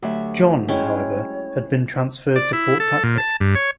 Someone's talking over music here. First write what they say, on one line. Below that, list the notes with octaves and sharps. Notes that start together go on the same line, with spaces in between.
John however had been transferred to Portpatrick.
D2 F#3 G4 E5
G#3 C#4 E4 C#5 G5 C#6
D5
E4
A4
A#2
A5
G2
C#5